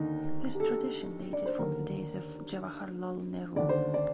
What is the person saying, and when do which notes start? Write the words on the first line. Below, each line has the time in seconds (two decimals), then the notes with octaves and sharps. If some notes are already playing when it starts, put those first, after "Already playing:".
This tradition dated from the days of Jawaharlal Nehru.
Already playing: D#2 D3 D#4
0.55 G4
0.60 A4
1.33 D5
1.45 C5
1.59 D#2 D3 A#4
3.56 D#2 D3 D5
3.69 C5
3.94 D5